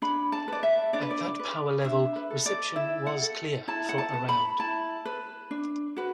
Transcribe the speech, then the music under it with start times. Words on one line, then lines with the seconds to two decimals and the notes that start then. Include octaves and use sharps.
At that power level, reception was clear for around.
0.02 D4 B5
0.32 A5
0.48 B4 D5
0.63 E5
0.93 D4 D5
1.02 B4
1.11 D5
1.39 B4
1.85 D4 E5
2.16 B4
2.30 A4
2.46 D5
2.76 E4 E5
3.07 F#5
3.22 A4
3.68 E4 A5
3.89 F#5
3.98 A5
4.14 B4
4.29 B5
4.60 E4 A5
5.05 B4
5.51 D4
5.97 F#4 B4